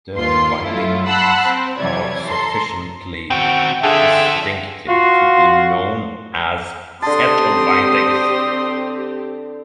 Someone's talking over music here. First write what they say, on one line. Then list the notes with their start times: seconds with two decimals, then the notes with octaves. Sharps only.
The bindings are sufficiently distinctive to be known as "Settle bindings".
0.15 D#2 A#3 F4 C6
0.65 F#3 A3 E4 F4
1.06 F#5 A5 B5 C6 E6 F#6
1.46 C4
1.78 C3 E3 F#3 G3 C#5 G#6
2.27 A4 A#5 C6
3.30 C4 F#4 G5
3.83 D3 F4 G#4 A4 E5 G5
4.89 F4 F#4 C6
7.02 D3 C4 G4 A5 C6 D#6